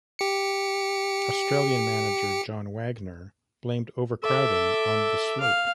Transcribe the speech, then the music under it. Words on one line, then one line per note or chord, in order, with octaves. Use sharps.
Australian manager John Wagner blamed overcrowding on the slope.
G4 C#7
A4 E5 D6
F5